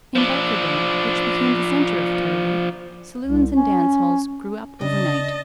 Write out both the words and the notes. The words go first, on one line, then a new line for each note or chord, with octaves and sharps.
In Barkerville, which became the centre of Cariboo, saloons and dance-halls grew up overnight.
F3 D4
C2
C#4
C#3 D4 D#5 A5